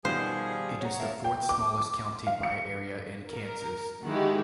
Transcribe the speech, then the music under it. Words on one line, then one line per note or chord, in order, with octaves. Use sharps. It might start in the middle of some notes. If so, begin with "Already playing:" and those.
It is the fourth-smallest county by area in Kansas.
B2 D#3 F3 G3 G#4 C5
C#5 F#5 A#5
A#3 E4 A4
G5
D6
F5
C#7
A#4
D#3 G#3 E4 F#4 G4